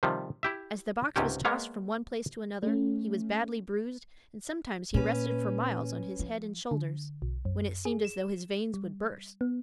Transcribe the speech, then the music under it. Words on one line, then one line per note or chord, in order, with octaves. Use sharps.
As the box was tossed from one place to another, he was badly bruised, and sometimes he rested for miles on his head and shoulders, when it seemed as though his veins would burst.
C3 D#3 F3 G3
E4 G4 E5
C#2 G#2 C3 C#4 G4
G#3 A#3 B3 C#5 F5
A3 C#4
A#2 C#4 B4
F3
D3
B1
F#2
G#4
E7
G3
B3